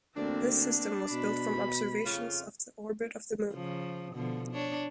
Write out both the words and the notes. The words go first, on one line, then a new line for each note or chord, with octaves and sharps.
This system was built from observations of the orbit of The Moon.
D2 A#3 C4 D4
B2 B5
F2 C#3 F4
C#3 F3
B2 D3 F3
D4 C#5